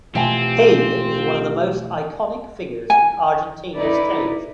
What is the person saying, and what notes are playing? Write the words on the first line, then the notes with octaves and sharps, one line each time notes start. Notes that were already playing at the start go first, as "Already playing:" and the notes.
He is one of the most iconic figures in Argentina's television.
B2 E3 A3 C4 F4 G4 G#5
G#5
D#4 E4 B4 D5